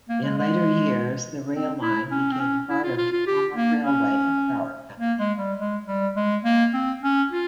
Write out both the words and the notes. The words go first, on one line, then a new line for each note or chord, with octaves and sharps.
In later years, the rail line became part of Tacoma Railway and Power Company.
A#3
G#3
G#3
C4
E4
C#4
C4
C#4
E4
F4
F4
F4
G4
A#3
C#4
A#3
G#3
G3
G#3
G3
G#3
A#3
C4
C#4
F4